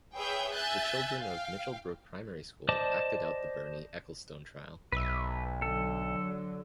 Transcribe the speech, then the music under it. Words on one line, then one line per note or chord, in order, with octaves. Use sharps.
The children of Mitchell Brook Primary School acted out the Bernie Ecclestone trial.
G#4 B4 C#5 E5 G5 G6
E5 G#5 F#6 G6 A6
F5 G5
C5 D5 D#5 A5 D6
B1 B4 E5
D3 F#3 A4